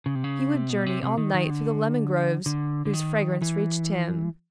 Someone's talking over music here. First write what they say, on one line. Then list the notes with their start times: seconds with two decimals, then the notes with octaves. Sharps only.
He would journey all night through the lemon groves, whose fragrance reached him.
0.06 C#3
0.15 C3
0.24 C#3
0.54 C3
0.70 B2
0.86 C3
1.03 C3
1.18 D#3
1.34 D#3
1.50 D3
2.46 D3
2.85 D3
2.94 D#3
3.42 E3